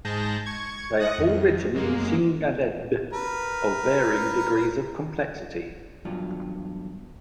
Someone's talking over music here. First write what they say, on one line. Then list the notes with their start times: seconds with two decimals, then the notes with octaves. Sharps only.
They are all written in cynghanedd of varying degrees of complexity.
0.05 G#2 G#3 G#4 A5 G6 A#6
0.46 C#6 G#6
1.00 D#6 F#6 A#6 C#7
1.18 F2
1.74 F#2 G#3 A#3
3.13 A#4 B4
6.05 E2 G2 F#3 F4